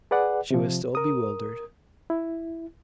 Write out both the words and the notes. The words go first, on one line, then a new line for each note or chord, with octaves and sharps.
She was still bewildered.
G#4 B4 D5 F#5
C3 F3
A#4 D#6
E4